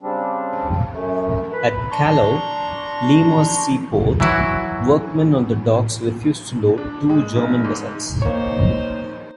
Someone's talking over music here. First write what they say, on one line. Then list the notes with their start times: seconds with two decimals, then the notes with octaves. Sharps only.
At Callao, Lima's seaport, workmen on the docks refused to load two German vessels.
0.01 C#3 G3 C4 D4
0.93 F#2 A3
1.53 B4 B5
1.91 D4 A#5 C6 C#6
4.20 E3 F#3 E4 F#4
6.78 D4
7.10 G#3
7.36 F1
7.65 G#2
8.22 A#3 D#4 C5 C#5